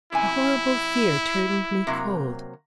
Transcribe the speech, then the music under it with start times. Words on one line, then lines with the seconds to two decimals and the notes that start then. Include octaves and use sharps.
A horrible fear turned me cold.
0.12 F#2 C3 E4 G#5
1.87 C3 F#3 A#3